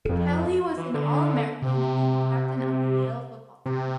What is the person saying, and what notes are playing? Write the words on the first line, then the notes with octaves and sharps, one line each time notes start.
Kelley was an All-American and the captain of the Yale football team.
F2
E3
D3
C3
C3